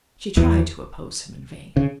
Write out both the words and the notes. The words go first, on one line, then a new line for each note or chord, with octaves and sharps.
She tried to oppose him in vain.
E2 E3
C#3